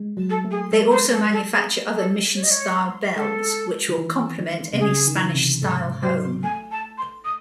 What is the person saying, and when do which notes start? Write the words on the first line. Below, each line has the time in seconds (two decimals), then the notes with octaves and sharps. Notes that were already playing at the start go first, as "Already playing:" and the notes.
They also manufacture other Mission Style Bells which will compliment any Spanish style home.
Already playing: G#3
0.17 F#3
0.30 A4
0.44 A3
0.51 G#4
0.72 G#3 A4
0.91 C5
1.12 A4
1.32 A4
1.52 G#4
1.94 A4
2.35 C#5
2.43 D#5
2.51 C#5
3.16 G#3 A4
3.89 D#3
3.98 E3
4.39 D#3
4.73 C3
4.80 C#3 G#4
5.07 D#3
5.15 E3
5.23 D#3
5.35 C3
5.62 G#2 A4
6.02 F#3 C5
6.43 A3 G#5
6.72 A5
6.98 C6
7.25 D#6